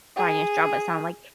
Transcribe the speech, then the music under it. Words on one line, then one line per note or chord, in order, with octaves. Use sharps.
finance job, it sounded like,
G#4